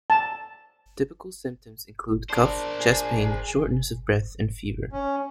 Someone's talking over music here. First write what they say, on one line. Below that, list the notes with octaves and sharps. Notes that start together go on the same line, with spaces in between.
Typical symptoms include cough, chest pain, shortness of breath and fever.
A5
D4 A#4 C5
G#4
C#4